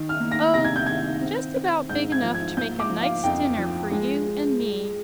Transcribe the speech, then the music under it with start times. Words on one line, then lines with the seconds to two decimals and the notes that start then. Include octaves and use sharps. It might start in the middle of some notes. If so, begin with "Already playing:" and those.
"Oh, just about big enough to make a nice dinner for you and me."
Already playing: D#3
0.09 F6
0.20 A#3
0.31 A#6
0.54 C3 A#6
0.65 G#6
0.76 G6
0.86 D#3 G#6
1.21 C4
1.55 C4
1.89 G#2 G6
2.12 G#6
2.22 F3
2.34 G#6
2.57 A#3 G6
2.80 D6
2.90 F3
3.01 F5
3.24 F2 G5
3.58 F3
3.91 G#3